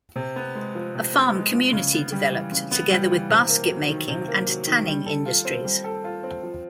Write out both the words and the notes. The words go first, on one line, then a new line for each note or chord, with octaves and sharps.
A farm community developed, together with basket making and tanning industries.
C3
B3
G#3
F3
C3
B3
G#3
F3
C#3
B3
G3
E3
C#3
B3
G3
E3
C3
A#3
F#3
D#3
C3
A#3
F#3
D#3
G3
A4
F4
C4
G3
A4
F4
C4
F3